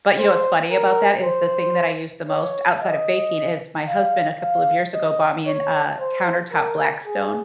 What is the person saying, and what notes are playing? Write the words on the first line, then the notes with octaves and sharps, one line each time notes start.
but you know what's funny about that is the thing that I use the most outside of baking is my husband a couple of years ago bought me an uh, a countertop Blackstone
C5
A#4
C5
C#5
D#5
F5
F5
D#5
C#5
C5
A#4
G#4